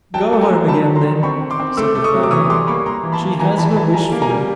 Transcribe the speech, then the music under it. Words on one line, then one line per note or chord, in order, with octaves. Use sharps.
"Go home again, then," said the flounder; "she has her wish fully."
F#3 G5 A5
A3
G#5 A#5
F#3
D#3 A5 B5
F#3
A#5 C6
D#3
C4 B5 C#6
D#3
C6 D6
C4
A3 D6 E6
A3
C#6 D#6
F#3
D6
E3 C#6 D#6
G3 C6 D6
A#3 B5 C#6
A#3 A#5 C6
E3
A5 B5
A#3
E3 G#5 A#5
E3 A5 B5
E3 A5 B5
G3 G#5 A#5
A#3
G#5 A#5
G3